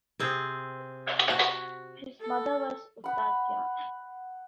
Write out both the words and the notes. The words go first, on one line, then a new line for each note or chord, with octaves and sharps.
His mother was Utathya.
C3 C4 G#4
F#4
A4
F#5 B5